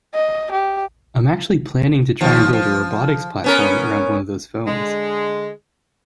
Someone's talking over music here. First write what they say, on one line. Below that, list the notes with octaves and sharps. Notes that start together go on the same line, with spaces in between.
I'm actually planning to try and build a robotics platform around one of those phones.
D#5
G4
D#2 F3
F3
B3 C#4 A#4
D3 G#3